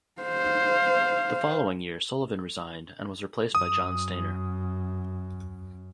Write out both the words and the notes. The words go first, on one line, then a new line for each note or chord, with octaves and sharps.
The following year Sullivan resigned, and was replaced by John Stainer.
C5 F5
F#2 D#6